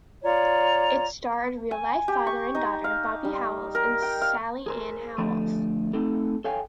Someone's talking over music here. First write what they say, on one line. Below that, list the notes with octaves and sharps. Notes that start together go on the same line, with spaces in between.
It starred real life father and daughter Bobby Howes and Sally Ann Howes.
F4 C#5 D5 A#5
G#5
G4
C#6
D#4
F5
G3
A#4
G5
F5
G#4 A#4 C5
D3 F3 A3
A3 C4 D#4 A4
A4 C#5 F5 G5 G#5